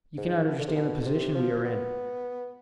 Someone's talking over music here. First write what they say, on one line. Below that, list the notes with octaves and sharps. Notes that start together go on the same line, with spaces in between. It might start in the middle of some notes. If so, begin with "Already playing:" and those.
You cannot understand the position we are in.
G#2
B2
D3
C3
B2
D3
C3
F3
B3